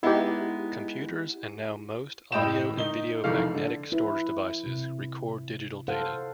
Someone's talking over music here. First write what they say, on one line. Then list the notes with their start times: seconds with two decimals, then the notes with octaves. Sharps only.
Computers and now most audio and video magnetic storage devices record digital data.
0.03 G#3 B3 D#4 E4 G4
2.32 A2 D#5 G5 E7
2.77 D#3 D#4 G7
3.24 F1 D#3 E3 A3 F5
3.54 D3
3.92 E4 B4
4.66 C3
5.88 A4 C5 F5 F#5